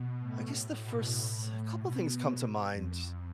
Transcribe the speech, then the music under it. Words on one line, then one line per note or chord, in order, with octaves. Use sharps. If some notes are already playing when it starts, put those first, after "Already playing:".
I guess the first couple things come to mind,
Already playing: B2
A2
A2
B2
A2
B2
B2
F2